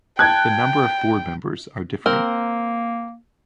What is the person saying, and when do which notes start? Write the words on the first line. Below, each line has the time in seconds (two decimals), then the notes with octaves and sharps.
The number of board members are different.
0.19 G5 A5 F#6 G#6
2.06 A#3 C4 A#4